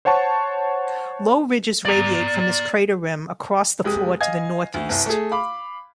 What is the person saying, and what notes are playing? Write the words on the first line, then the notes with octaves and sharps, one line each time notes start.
Low ridges radiate from this crater rim across the floor to the northeast.
C5 C#5 F#5 A5 C#6
D5 A#5
F1 G#3 G4 D#6
D#5 F5 G#5 G#6
D2
G1 C2
A3 G#4
F5 B5 D6